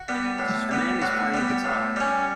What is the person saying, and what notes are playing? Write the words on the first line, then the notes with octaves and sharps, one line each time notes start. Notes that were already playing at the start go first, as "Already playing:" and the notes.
A man is playing a guitar.
Already playing: F#4
G3 B3
A2
G3 B3
A2 F#4
G3 B3
A2
G3 C#4